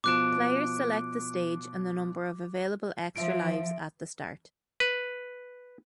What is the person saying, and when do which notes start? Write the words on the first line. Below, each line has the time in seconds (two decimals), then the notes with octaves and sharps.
Players select the stage and the number of available extra lives at the start.
0.04 B2 F3 D6 F#6 D7 E7
3.16 F3 E5 D7
4.80 B4